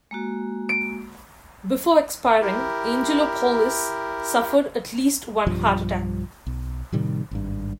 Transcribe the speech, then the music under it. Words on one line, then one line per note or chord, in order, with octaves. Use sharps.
Before expiring, Angelopoulos suffered at least one heart attack.
G#3 A#3 F#4
D7
E4 G4 A#4
B1 G2 F3 G3
B1
A2 C3 D#3 G3
G#1 G2